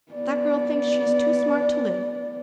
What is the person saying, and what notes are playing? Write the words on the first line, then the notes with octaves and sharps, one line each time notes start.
That girl thinks she's too smart to live.
B3 D5